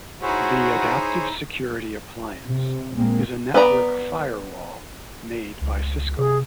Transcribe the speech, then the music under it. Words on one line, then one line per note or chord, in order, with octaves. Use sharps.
The Adaptive Security Appliance is a network firewall made by Cisco.
D#4 E4 F#4 G#4 C5 C#5
C3
A#2 G#3 A#3 C4
B3 B4 D5 A#5
C#2
C3 G#4